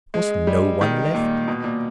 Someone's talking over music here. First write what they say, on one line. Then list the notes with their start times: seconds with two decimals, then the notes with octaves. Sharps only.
Was no one left?
0.14 G#3
0.47 G3
0.81 D#3
1.14 A#2
1.48 B2
1.64 A#2